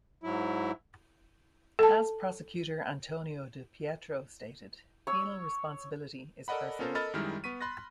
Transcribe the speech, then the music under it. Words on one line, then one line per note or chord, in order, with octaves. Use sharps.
As prosecutor Antonio Di Pietro stated, Penal responsibility is personal.
G#2 F#3 E4
A4 A5
C#5 E6
A4 A#4 D5 D#5 F#5 B5
B3 C#4 F4 A4 A#4 C5
A4 A#4 D#5 B5 F6 A6
F#2 D#3 G3 G#3 E4 F6
B3 C#6 B6 D#7
B5 C6 F#6 A6 A#6